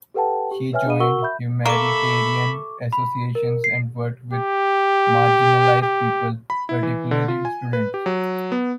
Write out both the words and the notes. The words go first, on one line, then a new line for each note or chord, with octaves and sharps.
She joined humanitarian associations and worked with marginalized people, particularly students.
G4 A4 B4 F#5 G5 A5
G4
B4 C#5 E5 G5 G#5 F6
D4 G#4 F5 D#7
F#4 A#4 F#5 C#6 E6 G7
E5 B5 G6
A#3 A4 E5 B5 C#6 D6
B5
A#4
C7
G4
G4
B5
E4
E3
D3
F4
G#5
B4
G4
F#3
B3